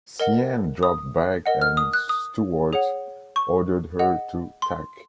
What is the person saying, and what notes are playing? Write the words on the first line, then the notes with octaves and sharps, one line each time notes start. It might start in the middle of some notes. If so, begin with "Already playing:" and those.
"Cyane" dropped back and Stewart ordered her to tack.
A#4 D#5 F#5
D#6
A#4 D#5 F#5
F6
D#6
F#6
D#6
G#4 C#5 F#5
C#6
G#4 D#5 F#5
C6